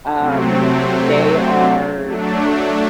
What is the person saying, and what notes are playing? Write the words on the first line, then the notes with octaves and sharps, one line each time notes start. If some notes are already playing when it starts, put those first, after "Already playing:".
um, they are
C3 F#3 A3 C4
F#3 A3 D4